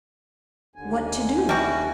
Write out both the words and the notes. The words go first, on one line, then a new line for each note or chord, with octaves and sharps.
"What to do?"
D#2 D3 G#5
G3 E4 F#4